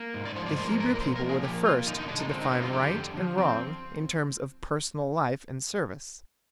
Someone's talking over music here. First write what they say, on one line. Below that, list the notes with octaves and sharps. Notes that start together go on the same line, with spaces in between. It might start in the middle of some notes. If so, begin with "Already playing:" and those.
The Hebrew people were the first to define right and wrong in terms of personal life and service.
Already playing: A#3
G#2
D5
F3 C5
D5
A#3 C5
A#4
G#2 A#4
C5
A#4
A#2 C5
A#4
F3
G#4
A#3 G4
A#2 F4
D3 D#4
D#4
G#3 D4
D#4
C4 F4
D#4
D3 D#4
F4
F2 G4
D3
F3
C4